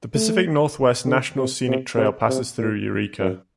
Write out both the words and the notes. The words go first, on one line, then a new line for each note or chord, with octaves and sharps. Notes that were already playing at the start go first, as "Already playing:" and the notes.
The Pacific Northwest National Scenic Trail passes through Eureka.
A3
D3
C3
C3
C3
C3
A#2
F#2